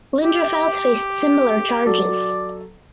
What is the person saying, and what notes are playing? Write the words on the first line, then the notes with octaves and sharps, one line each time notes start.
Linderfelt faced similar charges.
G4
F#3 A4 D5